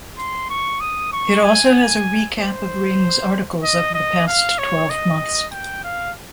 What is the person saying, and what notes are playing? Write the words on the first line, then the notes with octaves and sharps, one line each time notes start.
It also has a recap of "Ring"'s articles of the past twelve months.
C6
C#6
D#6
C#6
G#5
C5
D#5
D#5
F5
C#5
D#5
G5
F5